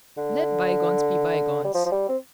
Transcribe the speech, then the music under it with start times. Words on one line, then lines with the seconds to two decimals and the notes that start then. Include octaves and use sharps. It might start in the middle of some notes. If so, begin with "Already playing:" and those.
Let Bygones Be Bygones.
0.17 D3
1.64 G3
1.74 F3
1.86 F3
1.92 G3
2.09 C4